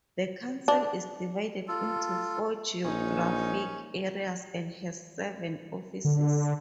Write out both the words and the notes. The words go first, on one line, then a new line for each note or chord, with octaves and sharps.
The council is divided into four geographic areas and has seven offices.
D4
F4 A4
A#1 C#4 D#4
D3